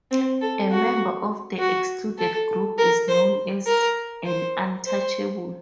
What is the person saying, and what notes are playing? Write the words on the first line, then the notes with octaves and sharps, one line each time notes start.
A member of the excluded group is known as an Untouchable.
C4
A4
F#4
F#4
A4
A#4
C5
A#4
C5
C5